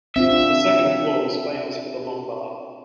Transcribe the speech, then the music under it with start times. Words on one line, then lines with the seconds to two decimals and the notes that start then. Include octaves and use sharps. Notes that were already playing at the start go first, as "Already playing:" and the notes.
The second-floor was famous for the Long Bar.
0.16 C4 D4 F4 E5